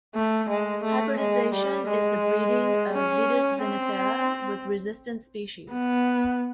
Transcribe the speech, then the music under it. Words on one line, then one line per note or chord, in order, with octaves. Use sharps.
Hybridization is the breeding of "Vitis vinifera" with resistant species.
A3
G#3
A3
G#3
G3
G#3
C#4
C4
B3